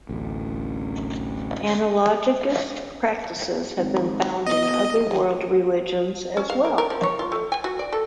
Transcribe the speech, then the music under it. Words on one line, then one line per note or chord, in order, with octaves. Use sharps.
Analogous practices have been found in other world religions as well.
A1 D2
G#1
B2 D#5
C#4
F5
A#4
A#4
F3
C#5
F4
A3
G#5
F#4
D5
A4